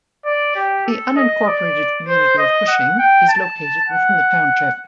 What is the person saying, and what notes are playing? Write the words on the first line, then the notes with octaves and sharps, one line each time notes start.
The unincorporated community of Cushing is located within the township.
D5
G4
A4
D#5
D5
C5
D#5
F#5
G5
A5
F#5